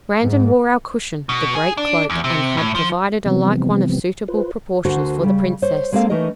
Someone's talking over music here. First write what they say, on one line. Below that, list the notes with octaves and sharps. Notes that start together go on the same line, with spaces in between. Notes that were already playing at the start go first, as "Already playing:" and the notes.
Brandon wore our cushion, the great cloak, and had provided a like one of suitable proportions for the princess.
G#2
B2
G#4
D4
E2
C3
A2
F3
C3 E3 F3 G3 B3 C4
F4 B4 C5
D2 D3 F#4 A#4 C5
C#3 G3
C5 C#5
G#3 A#3 C4 A4 F5
E3 A3 C#4 D#4 A#4 D#5